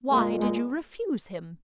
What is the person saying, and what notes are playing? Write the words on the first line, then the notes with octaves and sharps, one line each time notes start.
"Why did you refuse him?"
A#2 G#3 A#3
G#3